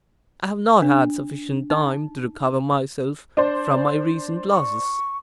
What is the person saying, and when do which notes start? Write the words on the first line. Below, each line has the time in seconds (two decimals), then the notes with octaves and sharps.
I have not had sufficient time to recover myself from my recent losses.
0.82 D4
1.70 D#4
3.37 D4 C5
4.51 C#6